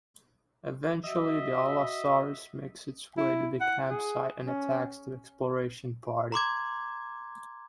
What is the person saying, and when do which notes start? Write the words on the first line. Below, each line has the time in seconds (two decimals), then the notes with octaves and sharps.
Eventually, the "Allosaurus" makes its way to the campsite and attacks the exploration party.
1.05 F#4 D#5 E5
3.17 E4
3.61 F#5
3.90 G#4
4.45 C#4
6.32 A#5 C6 D6 G#6